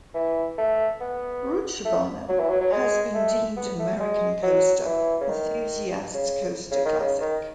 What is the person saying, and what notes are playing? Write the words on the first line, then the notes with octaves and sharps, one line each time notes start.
"Rutschebanen" has been deemed an American Coaster Enthusiasts Coaster Classic.
E3
A3
B3
A3
F#3
E3
F#3
F#3
G#3
A3
B3
A3
G#3
F#3
E3
C#3
D#3
C#3
C#3
D#3
C#3
D#3